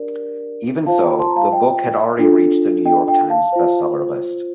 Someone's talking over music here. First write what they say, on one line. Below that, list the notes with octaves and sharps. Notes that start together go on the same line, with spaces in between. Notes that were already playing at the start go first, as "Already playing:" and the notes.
Even so, the book had already reached the "New York Times" bestseller list.
Already playing: D4 G4 A#4 D5
F4 C5 F5 A5
G5 A#5
A5 C6
A#5
F5 A5
D#5 G5
D4 F4 A4
D#5 G5
D#5 G5
F5 A5
F4 C5